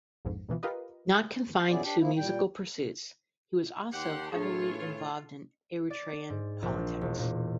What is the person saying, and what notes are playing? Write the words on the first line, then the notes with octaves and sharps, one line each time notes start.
Not confined to musical pursuits, he was also heavily involved in Eritrean politics.
A#1 F2 G#2
D2 B2 E3 F3
F4 G4 A#4 B4 D#5
B2 B3 C#4 E4 G#4 D5
D4 G4
F3 A#3 E4
A#2 G3 G5
D#2 G4 F#5 C6
A2 E3 D4 F4 G#4 A4 C#5
D5
G#2
A#1
E1
A#2